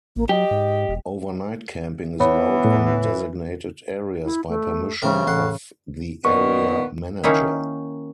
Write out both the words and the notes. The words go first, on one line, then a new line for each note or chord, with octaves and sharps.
Overnight camping is allowed on designated areas by permission of the area manager.
A1 A#3
F#3 G4 D#5
G#2
E1
E3 B3 C#5 B5
A2
E4
A3
C#3 E3 C4 A#4
A1 F#5 C6
A#2 D#3 B3 C#6
D#3 A#3 C#4 D#4 E4